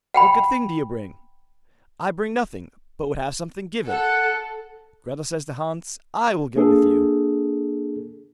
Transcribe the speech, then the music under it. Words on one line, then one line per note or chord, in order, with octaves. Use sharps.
What good thing do you bring?' 'I bring nothing, but would have something given.' Gretel says to Hans: 'I will go with you.'
F#5 G5 B5
A4 F#5
A#3 D4 G#4 A4